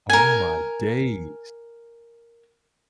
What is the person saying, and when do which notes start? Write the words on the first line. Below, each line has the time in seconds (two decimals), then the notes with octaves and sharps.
Oh my days.
0.10 A#4 G#5